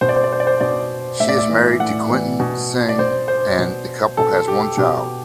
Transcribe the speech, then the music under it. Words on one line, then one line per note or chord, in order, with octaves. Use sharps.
She is married to Quinton Singh and the couple has one child.
B2 C5
D5
C5
D5
C5
D5
C5
B2 D5
A2 E5
D5
E5
E3
A2 F#5
E3
B2
D5
B2 C5
C5
B2
B2 A4
G4
B2 G4